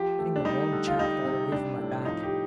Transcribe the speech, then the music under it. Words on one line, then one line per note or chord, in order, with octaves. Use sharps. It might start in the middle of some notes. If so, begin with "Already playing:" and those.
"Getting the warm chaff all away from my back!"
Already playing: F3 G4
A3
D4
G3 D#4
D3
F4
G3 D#4
C3
G3 D4
A2
F3 D#4
G4